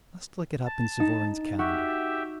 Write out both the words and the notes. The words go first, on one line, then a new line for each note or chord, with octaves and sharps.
I must look it up in Suvorin's calendar.
A5
D#4
F#4 G4 E5